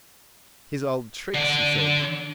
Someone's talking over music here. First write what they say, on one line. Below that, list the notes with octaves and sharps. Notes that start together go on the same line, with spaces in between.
"His old tricks," he said.
D3 D5